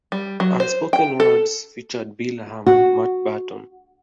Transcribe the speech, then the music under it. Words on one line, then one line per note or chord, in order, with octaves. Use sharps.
"Unspoken Words" featured Bill Ham and Matt Betton.
G3
F#3
C5
G5
A4
F#4